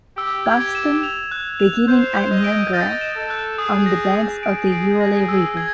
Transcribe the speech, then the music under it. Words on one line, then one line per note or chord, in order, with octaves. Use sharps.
Buxton, beginning at Niangara on the banks of the Uele River.
G4 E6
G#6
G4
E7
F7
F#6
F7
C5 G6
G6
D#5
D7
D#5 A6
E7
A4
F#6
G#4 D#6
A#6
D#6
G#4 D7
D7
A#6
E6
G#6